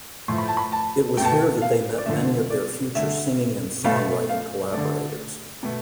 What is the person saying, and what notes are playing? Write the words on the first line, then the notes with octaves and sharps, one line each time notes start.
It was here that they met many of their future singing and songwriting collaborators.
A2 F3 A3 C6
B5
A5
B5
A5
B2 A3 G5 A5
G5
F5
D5
D3 F3 A3 E5
D5
D3 A3 E5
B2 A3 F5
F5
D3 A3 D5
B2 A3